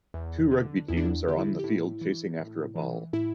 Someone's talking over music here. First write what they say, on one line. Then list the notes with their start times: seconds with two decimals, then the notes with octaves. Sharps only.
Two rugby teams are on the field chasing after a ball.
0.14 E2
0.51 D3
0.88 E2 E4
0.97 D4
1.05 E4
1.27 D3 G4
1.39 E4
1.59 G4
1.63 A2 E4
2.01 E3
2.39 A2
2.75 E3
3.13 A2 E4